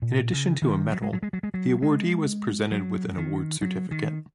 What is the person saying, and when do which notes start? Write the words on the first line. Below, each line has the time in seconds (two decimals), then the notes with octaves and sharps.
In addition to a medal, the awardee was presented with an award certificate.
0.02 A#2
0.33 C#3
0.62 D#3
0.92 F#3
1.02 G#3
1.13 F#3
1.23 G#3
1.33 F#3
1.43 G#3
1.54 F#3
1.82 G#3
2.72 F#3
3.17 D#3
3.61 F#3
3.91 D#3